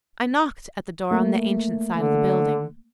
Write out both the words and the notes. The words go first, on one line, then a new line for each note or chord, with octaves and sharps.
I knocked at the door on the ancient side of the building.
A3 A#3
D3